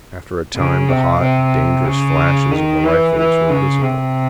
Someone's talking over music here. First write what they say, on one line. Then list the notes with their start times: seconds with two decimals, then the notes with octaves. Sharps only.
After a time the hot, dangerous flashes of the rifles were visible.
0.55 C#3
0.88 C3
1.20 C3
1.85 C#3
2.51 D#3
2.83 E3
3.16 E3
3.49 C#3
3.81 C3